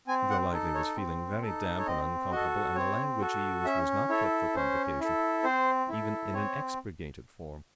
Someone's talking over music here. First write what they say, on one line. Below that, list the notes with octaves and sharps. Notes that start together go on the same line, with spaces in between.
Golightly was feeling very damp and uncomfortable, and the language he used was not fit for publication, even in an expurgated form.
C4 G#5
F#5
D#4 A4
C#5
C4
D#4 A4
C#5
C4 D#5
F#4 A4 D#5
C4 C#5
F#4 A4
C#4 E5
E4 A4 C#5
C#4 C5
E4 A4
C4 C5
E4 A4
C4 C#5